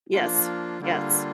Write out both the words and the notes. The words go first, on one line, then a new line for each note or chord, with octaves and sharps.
Yes, yes.
F3 A#3 D4 F4
D3 G3 A#3 D4 F4